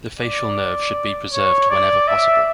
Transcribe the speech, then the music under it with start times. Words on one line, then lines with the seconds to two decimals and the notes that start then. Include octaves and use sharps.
The facial nerve should be preserved whenever possible.
0.19 D5
1.32 C#5
1.70 D5
2.08 E5